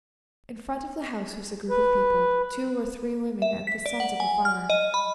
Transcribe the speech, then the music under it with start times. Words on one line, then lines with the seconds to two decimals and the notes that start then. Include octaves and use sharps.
In front of the house was a group of people; two or three women and the sons of the farmer.
1.70 B4
3.42 E5
3.67 B6
3.86 D5
4.00 F#5
4.20 G#5
4.45 F6
4.70 D#5
4.94 B5